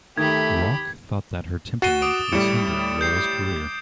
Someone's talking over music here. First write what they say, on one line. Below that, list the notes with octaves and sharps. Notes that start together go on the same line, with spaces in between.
Rock thought that her temperament was hindering Laurel's career.
D#3 A3 G4 B5 G#6
F#4 A6 C7 D#7 E7 G7
D6 D#6 D7
A2 G3 C#7 E7
G6 C7